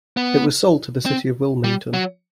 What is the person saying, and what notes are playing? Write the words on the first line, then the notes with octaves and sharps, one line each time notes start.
It was sold to the city of Wilmington.
B3
C4
G3
F#3